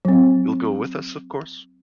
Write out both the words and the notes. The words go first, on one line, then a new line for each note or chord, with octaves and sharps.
You'll go with us, of course?
F#3 C4